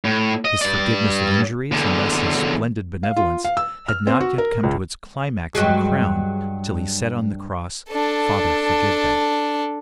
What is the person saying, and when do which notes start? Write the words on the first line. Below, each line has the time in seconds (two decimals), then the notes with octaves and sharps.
His forgiveness of injuries, and thus His splendid benevolence, had not yet come to its climax and crown till He said on the cross, 'Father, forgive them'.
0.05 A2
0.45 D#5
0.61 G2 D5
1.72 E2 D3
3.03 F5
3.16 F4
3.45 F5
3.57 E6
3.88 F6
4.07 C4
4.21 F#4
4.38 A#4
4.63 C#2
5.55 G2 F#3 G#3
7.90 D4 A4